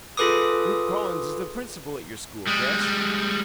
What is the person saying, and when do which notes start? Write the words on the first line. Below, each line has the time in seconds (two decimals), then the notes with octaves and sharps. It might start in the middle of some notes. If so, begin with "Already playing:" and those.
"Rupe Collins is the principal at your school, guess."
0.17 F4 G#4 A4 B4 D6 D#6
2.47 G3 G#3